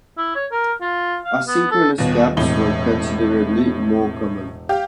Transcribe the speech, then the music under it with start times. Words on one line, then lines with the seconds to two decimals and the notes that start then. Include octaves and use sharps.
Asynchronous gaps were considerably more common.
0.18 E4
0.35 C#5
0.52 A#4
0.81 F4
1.25 F5
1.47 B3
1.71 A4
1.98 D#1 D#2 B2
2.37 E1 A2 C3 G7
4.69 G4 F5